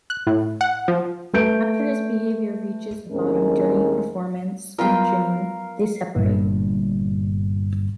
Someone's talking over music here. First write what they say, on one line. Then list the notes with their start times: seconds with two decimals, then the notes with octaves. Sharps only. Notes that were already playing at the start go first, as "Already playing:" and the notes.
After his behavior reaches a bottom during a performance with June, they separate.
0.10 F#6
0.27 A2
0.61 F#5
0.88 F3
1.33 A3 B4 G6 D7
3.12 D#2 A2 G#3 C4 C#4 A#4
4.78 F#3 G3 B3 F4 A#4 B4 F5 G5
6.16 G1 G2 A#2